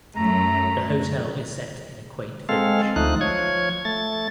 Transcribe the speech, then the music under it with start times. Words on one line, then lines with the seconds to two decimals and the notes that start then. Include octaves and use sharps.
The hotel is set in a quaint village.
0.16 F#2 A3 A#5
2.49 G#3 C4 A4 F5
2.96 D2 F3 A3 D#4 F#6
3.21 F3 C#5 G#6
3.85 A3 A6